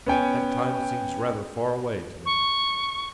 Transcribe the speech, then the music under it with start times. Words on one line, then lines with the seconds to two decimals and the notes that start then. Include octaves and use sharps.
"That time seems rather far away to me."
0.06 B3 C#4 G5 G#5
2.26 C#6